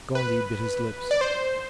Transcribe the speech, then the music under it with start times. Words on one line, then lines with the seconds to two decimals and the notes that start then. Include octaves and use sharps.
Gondy bit his lips.
0.15 B4
1.11 D5
1.21 C5